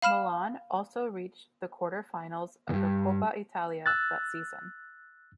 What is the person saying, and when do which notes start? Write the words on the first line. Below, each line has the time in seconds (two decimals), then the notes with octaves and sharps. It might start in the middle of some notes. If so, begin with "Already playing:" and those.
Milan also reached the quarter-finals of the Coppa Italia that season.
0.02 F5 B5 F6 E7
2.69 D2 G2
3.86 E6 F#6 A6